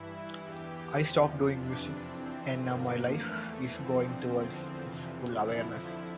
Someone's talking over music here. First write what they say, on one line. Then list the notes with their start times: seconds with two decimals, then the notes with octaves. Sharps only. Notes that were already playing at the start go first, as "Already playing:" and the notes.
I stopped doing music, and now my life is going towards its full awareness.
Already playing: G2 E3 E4
0.42 E2 E3 G4
0.97 E2 C3 F3
1.51 F2 C3 E3 D4
2.06 F2 E3 C4
2.61 G2 D3 F3 A#3
3.15 E2 E3 A3
3.71 F2 D3 F3 C4
4.25 E2 D3 F3 C4
4.80 F2 C3 E3
5.35 F2 D3 F3 E4